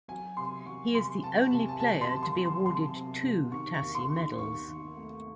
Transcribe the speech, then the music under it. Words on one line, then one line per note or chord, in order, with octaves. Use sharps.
He is the only player to be awarded two Tassie Medals.
F#3 G#5
C3 C6
F#3 C#6
C3 C6
C3 A5
C3 A5
G#5
A5
C3 A5
C6
F#3
C6
F#3
C6
C3 C6
C3
C3
D#3 C#6
C#6
D#2
C6
D#3
C6
D#2 C#6
D#2
A3